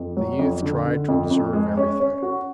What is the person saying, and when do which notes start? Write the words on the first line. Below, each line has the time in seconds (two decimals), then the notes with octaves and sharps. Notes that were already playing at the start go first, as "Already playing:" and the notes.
The youth tried to observe everything.
Already playing: F2
0.17 F#3
0.39 F2
0.62 D3
0.86 D3
1.08 F2
1.31 F2
1.53 G#3
1.77 C#4
2.00 C#4
2.22 F#4